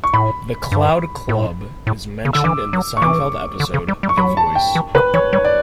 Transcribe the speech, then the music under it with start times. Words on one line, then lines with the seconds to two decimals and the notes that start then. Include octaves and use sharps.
The Cloud Club is mentioned in the Seinfeld episode The Voice.
0.04 C#6
0.13 A2 B5
0.72 G2
1.29 A2
1.87 A2
2.25 C#3
2.33 D3 E6
2.44 E3 D6
2.73 F#3
2.97 C#6
3.02 E3 D6
3.60 D3
3.74 C#3
3.88 G3
4.03 G3
4.09 C#6
4.17 F#3 B5
4.37 A5
4.55 G5
4.75 E3
4.95 C#3 B4
5.14 E3 C#5
5.33 G3 C#5
5.45 D5